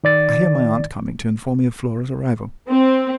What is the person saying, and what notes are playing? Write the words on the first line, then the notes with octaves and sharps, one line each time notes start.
I hear my aunt coming to inform me of Flora's arrival.
D#3 D5 A6
C4